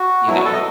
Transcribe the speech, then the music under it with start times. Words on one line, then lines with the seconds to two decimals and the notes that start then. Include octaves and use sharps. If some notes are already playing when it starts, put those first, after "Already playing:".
you know
Already playing: F#4
0.27 B2 F#3 E4
0.36 F#4
0.45 A4
0.53 D#5